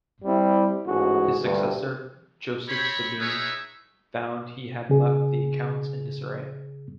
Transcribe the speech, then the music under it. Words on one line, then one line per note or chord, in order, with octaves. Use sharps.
His successor Joseph Sabine found he had left the accounts in disarray.
G3 C4 E4
A1 G#2 F#4 G#4
D2 G2
C4 C#5 B5
D#4 E4 G#4 B4 C#5 E5
C#3 G#4